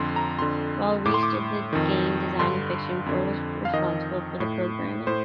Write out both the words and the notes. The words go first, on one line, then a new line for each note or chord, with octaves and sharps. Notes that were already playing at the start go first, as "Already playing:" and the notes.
While Reiche did the game design and fiction, Ford was responsible for the programming.
Already playing: F2 D3 C6
A#5
F2 D3 C6
A2 D6
C6
D6
F2 D#3
G2 D3 C6
F2 D3
F5
F2 D#3 D#5
A2
A2 C5